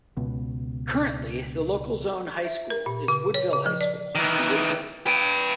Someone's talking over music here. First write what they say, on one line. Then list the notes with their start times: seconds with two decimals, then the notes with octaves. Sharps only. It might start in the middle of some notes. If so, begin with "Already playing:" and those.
Currently, the local zone high school is Woodville High School, in Woodville.
0.17 C#2 B2
2.45 E5
2.70 A#4
2.86 A#2
3.08 C#3
3.34 C#5
3.53 C#3
3.66 F3
3.81 D5
4.15 D#3 E3
5.07 B4 G5